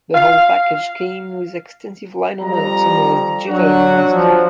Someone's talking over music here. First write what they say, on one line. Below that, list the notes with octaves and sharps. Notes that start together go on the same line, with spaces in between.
The whole package came with extensive liner notes and was digitally remastered.
F5
F2 G3 A#5
F#3 D4 F#4
F3 F#3